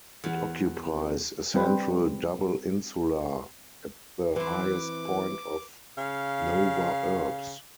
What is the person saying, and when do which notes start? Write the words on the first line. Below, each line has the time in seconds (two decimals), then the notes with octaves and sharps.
It occupies a central double insula at the highest point of "nova urbs".
0.24 E2
1.54 G3 C4 B4
4.36 E3 C4 B4 D6
5.98 C#3 F5